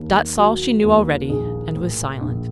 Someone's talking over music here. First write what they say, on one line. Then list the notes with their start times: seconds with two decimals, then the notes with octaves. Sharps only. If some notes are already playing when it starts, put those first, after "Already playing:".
Dot saw she knew already, and was silent.
Already playing: D#2
0.37 F#3
0.84 D#2
1.29 A#1 G#4
1.75 A2
2.21 A#1